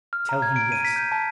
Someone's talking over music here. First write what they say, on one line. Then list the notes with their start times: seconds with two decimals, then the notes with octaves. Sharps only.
"Tell him yes!"
0.13 F6
0.29 A#5
0.42 G#6
0.56 D7
0.72 D#7
0.84 B6
0.96 G6
1.12 A5